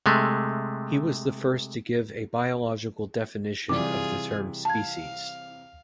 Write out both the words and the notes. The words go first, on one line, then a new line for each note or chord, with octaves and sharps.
He was the first to give a biological definition of the term "species".
C3 G#3 A3
C3 E3 G3 F4 G#4 D6
F5 A5 G#6